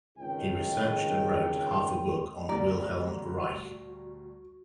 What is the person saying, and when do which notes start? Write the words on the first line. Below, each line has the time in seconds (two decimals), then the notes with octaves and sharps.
He researched and wrote half a book on Wilhelm Reich.
0.18 G#1 C#2 D#3 G#4 G5
2.49 D2 A#2 G3 F#4 D5 A#5